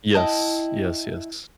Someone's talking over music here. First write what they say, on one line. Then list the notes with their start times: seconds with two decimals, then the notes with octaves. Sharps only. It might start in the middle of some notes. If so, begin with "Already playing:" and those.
Yes, yes, yes.
0.15 E4 D#5 G5 A5